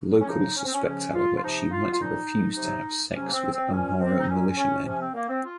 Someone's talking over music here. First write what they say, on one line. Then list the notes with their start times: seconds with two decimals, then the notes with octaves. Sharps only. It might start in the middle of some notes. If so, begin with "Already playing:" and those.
Locals suspect however she might have refused to have sex with Amhara militiamen.
0.21 C#4
0.28 C#3 F3 D#4
0.56 C#4
0.65 C4
0.74 C#4
0.85 C#3 F3 C#4
1.14 F4
1.35 F4
1.42 C3 F3 D#4
1.71 F4
1.93 F4
2.00 A#2 F3 D#4
2.57 C3 F#3
3.14 C3 F#3 C#4
3.28 A#3
3.32 C4
3.52 C4
3.71 A#2 F3 C#4
4.00 C4
4.19 D#4
4.28 A#2 F#3 C#4
4.57 C#4
4.85 C3 F3 C#4
5.00 C4
5.14 A#3
5.28 C4
5.43 F4